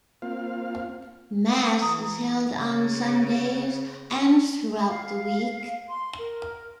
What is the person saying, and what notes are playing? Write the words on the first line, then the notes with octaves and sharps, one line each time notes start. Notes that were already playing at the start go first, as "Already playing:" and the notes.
Mass is held on Sundays and throughout the week.
A#3 C4 F4 F5
E3 A#5 D#6
C#3
F5
C6
A#4